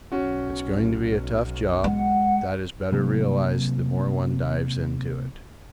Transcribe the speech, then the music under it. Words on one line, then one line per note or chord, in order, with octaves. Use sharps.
It's going to be a tough job; that is better realised the more one dives into it.
B1 C#4 F#4
G#3 F#5
C3 F#3 A#3